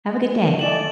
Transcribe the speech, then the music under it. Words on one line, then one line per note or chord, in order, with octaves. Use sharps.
have a good day.
E3 A3 D#4 D5 E7 F#7